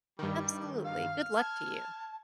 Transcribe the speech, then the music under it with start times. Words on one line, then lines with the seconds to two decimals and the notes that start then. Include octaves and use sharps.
Absolutely, good luck to you.
0.19 G2 D#3 G3
0.84 F5 F6
1.38 A5 G#6